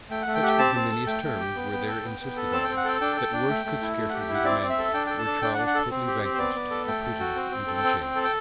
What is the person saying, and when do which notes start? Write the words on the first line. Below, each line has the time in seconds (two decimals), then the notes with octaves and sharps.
Such ignominious terms were there insisted on, that worse could scarcely be demanded, were Charles totally vanquished, a prisoner, and in chains.
0.10 A3 G5
0.22 A3 F#5
0.34 G5
0.42 G4 F#5
0.48 G5
0.59 C4 A5
0.75 C4
0.92 A4
1.07 A3 G5
1.24 A3
1.39 G4
1.56 B3
1.72 B3
1.88 A4
2.03 B3
2.20 B3
2.36 A4
2.52 C4 A5
2.64 G5
2.69 C4
2.77 F#5
2.84 A4 G5
3.01 D4 G5
3.16 A4
3.33 D4
3.49 A3
3.65 A3
3.82 E4
3.97 A3
4.09 G4 F#5
4.21 G5
4.29 E4
4.34 F#5
4.45 C4 D5
4.62 C4
4.70 E5
4.78 A4
4.94 D4 G5
5.06 A4 G5
5.18 A5
5.26 D4
5.42 D4 G5
5.54 F#5
5.58 D4
5.67 F#5
5.75 A4
5.91 C4
6.07 G4
6.23 C4
6.34 C5
6.38 B3 D5
6.55 B3
6.71 A4
6.87 A3 G5
7.04 A4
7.20 F#4
7.35 C4
7.51 C4
7.67 A4
7.84 C4
8.00 C4
8.15 A4
8.24 G5